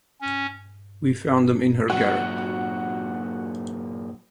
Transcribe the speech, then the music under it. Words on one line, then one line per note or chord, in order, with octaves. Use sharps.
We found them in her garret.
C#4
A#2 F#3 F#4